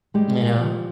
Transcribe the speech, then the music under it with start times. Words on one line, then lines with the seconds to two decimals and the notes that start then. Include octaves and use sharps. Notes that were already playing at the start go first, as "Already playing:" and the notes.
You know?
0.14 G3 G#3 G4
0.37 A#2
0.58 F3